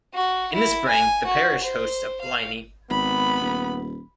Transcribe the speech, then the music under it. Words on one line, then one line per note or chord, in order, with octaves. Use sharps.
In the spring, the parish hosts a Blini.
F#4
E4
G#5
F#4
C5
F5
G#1 B3 B5
D#1